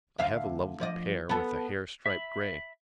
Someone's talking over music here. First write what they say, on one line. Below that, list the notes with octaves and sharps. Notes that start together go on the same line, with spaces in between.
I have a lovely pair with a hair stripe, grey.
D2 E5 F5
F3 D5 D#5
B3 A4
E5 B5